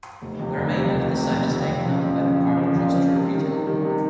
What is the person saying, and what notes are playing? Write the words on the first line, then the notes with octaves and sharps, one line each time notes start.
The remainder of the site is taken up by the Parc Trostre retail park.
F1
F2 C3
F1
F2 C3
F1
F2 C3
F1
F2 C3
F2
C#3 F3
F2
C#3 F3
F2
C#3 F3
F2
C#3 F3
C3
D#3 G3
C3
D#3 G3
C3